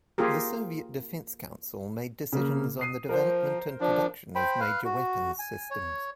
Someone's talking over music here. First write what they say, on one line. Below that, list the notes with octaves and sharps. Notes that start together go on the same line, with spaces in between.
The Soviet Defense Council made decisions on the development and production of major weapons-systems.
A#3 F4 G4 G#4 A#4
C#3 A#3
D#6 C7 D#7
F3 A#4 C5
F3 D4
C5 G5 B5
B4 F5
F#4
G#5
C#5